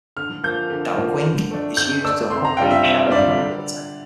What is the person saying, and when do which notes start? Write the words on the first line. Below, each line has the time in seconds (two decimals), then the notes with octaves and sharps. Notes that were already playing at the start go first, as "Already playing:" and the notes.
Daoqing is used to accompany shadow play theater.
0.16 D3 F6
0.44 F3 A#3 G6
0.70 D3
0.97 F3 A#3
1.24 D3
1.51 A3 D4
1.77 D3 G6
2.04 A3 D4 E6
2.30 C3 C6
2.45 A#5
2.57 G3 D4 F4 G5
2.71 E5
2.84 C3 E5
3.10 G3 D4 F4 D5
3.37 D3